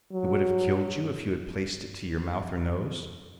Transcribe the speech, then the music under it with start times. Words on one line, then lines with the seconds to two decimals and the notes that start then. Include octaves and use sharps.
"It would have killed you if you had placed it to your mouth or nose?"
0.12 F#3